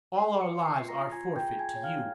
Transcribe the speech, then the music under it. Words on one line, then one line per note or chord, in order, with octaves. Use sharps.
All our lives are forfeit to you.
G#4 C6 C7
C#6 C#7
C#5
C6 C7
F4 C7
A#5 A#6
F4 G#5 G#6
G5 G6
G#4
G#5 G#6
C#5
F5 F6